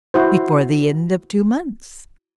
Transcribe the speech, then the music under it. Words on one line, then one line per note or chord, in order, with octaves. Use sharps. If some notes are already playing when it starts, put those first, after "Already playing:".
"Before the end of two months."
E4 F#4 C5